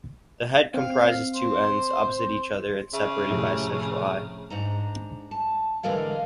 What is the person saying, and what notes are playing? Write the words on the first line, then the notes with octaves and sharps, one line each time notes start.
The head comprises two ends, opposite each other and separated by a central eye.
C4 F5
C5
C#3 E5
F2 A2 C3
G#2 D4 A#5
A5
D3 E3 G#3 A#4 D5 F5